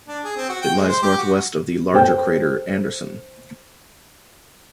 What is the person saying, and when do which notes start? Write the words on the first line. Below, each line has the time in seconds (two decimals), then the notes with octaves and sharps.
It lies to the northwest of the larger crater Anderson.
0.08 D4
0.24 G#4
0.37 C4
0.49 F#4
0.62 G5
0.75 G#3
0.89 C5
1.02 G4
1.18 F#4
1.94 A4 C5 G5